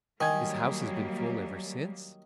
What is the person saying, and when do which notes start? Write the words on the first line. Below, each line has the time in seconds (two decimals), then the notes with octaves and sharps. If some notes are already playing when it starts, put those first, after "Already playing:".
His house has been full ever since.
0.21 D#3 F#3 G3 A#3 G#5 G#6